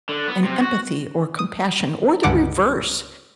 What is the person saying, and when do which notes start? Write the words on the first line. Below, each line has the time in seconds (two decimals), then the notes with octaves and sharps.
an empathy or compassion, or the reverse,
0.09 D3
0.28 B3
0.44 C3
0.61 F#4
1.39 D#6
2.23 C#2 G2 D3 F#5 D6 D7